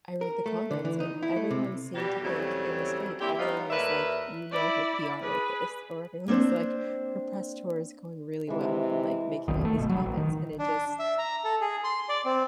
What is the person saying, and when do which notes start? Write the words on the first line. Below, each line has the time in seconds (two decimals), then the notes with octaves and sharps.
I read the comments and everyone seemed to think it was fake. Everyone was, like, "You know her PR wrote this." Or, everyone was, like, "Her press tour is going really well," and, like, making all these comments, and it just
0.21 A#4
0.46 A3
0.71 D3
0.85 E3
1.00 D#4
1.23 E4
1.36 A3
1.51 C3
1.95 B2 G3 G4
2.22 E2 C#3 F#3 G3 A3 C4
3.20 A#3 C4 D4 E4 G4
3.39 G3 B3 C#4 D#4 D#5 F5
3.70 D#2 A2 A#4 B4 D5 E5
4.51 E4 D5
5.22 G#4 B4
6.28 A#3 C4 D4 C5
8.48 C3 E3 G#3
9.48 F1 B1 D#3
9.65 A3
9.78 F#1 B2
9.89 F#3 G3
10.06 A1
10.17 D#3
10.59 D4
10.99 E5
11.18 A#5
11.44 A4
11.61 G#4
11.84 C6
12.09 D5
12.25 C4